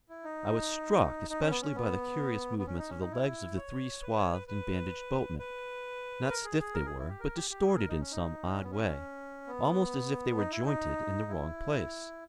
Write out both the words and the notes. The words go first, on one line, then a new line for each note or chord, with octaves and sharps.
I was struck especially by the curious movements of the legs of the three swathed and bandaged boatmen,--not stiff they were, but distorted in some odd way, almost as if they were jointed in the wrong place.
E4
D#4
D#4
C#4
B3
C#4
B3
B3
C#4
D#4
C#4
D#4
E4
C#5
B4
C#5
B4
B4
B4
A#4
G#4
G#4
A#4
G#4
E4
G4
A#4
G4
G4
G#4
A#4
D#4
C#4
D#4
C#4
B3
C#4
B3
D#4
E4
D#4
E4